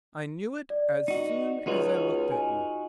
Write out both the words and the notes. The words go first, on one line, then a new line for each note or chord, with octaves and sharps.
"I knew it as soon as I looked at you."
D5
D#4 F#4
C#2 D#4 F4 F#4
G#5